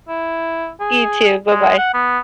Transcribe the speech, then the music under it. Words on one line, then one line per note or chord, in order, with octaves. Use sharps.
You too, bye-bye.
E4
G#4
G#3
F#5
B3